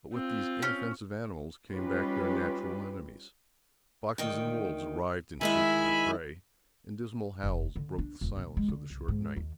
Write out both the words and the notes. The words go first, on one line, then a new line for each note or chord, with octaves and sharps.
But with these inoffensive animals came back their natural enemies. Foxes and wolves arrived in search of their prey, and dismal howls broke the silence of the short night.
C4 F4
C#4
G3 C#4 D#4 F4 G4 B4
D2 D#3 G5
D#3 G#3 E4 E5 G#5 B5
F1
D3
D4
D#1
B1
G#3
D3
C2
G#2
D#2